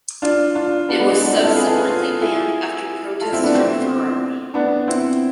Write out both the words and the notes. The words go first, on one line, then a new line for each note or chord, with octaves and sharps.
It was subsequently banned after protests from Ferrari.
D4 F4
D4 F4
B3 D4
G#3 B3
G#3 B3
B3 D4
C4 E4
F4 A4
G#4 B4
F4 A4
G#4 B4
F4 A4
E4 G#4
F4 A4
C4 E4
B3 D4
A3 C4
B3 D4
C4 E4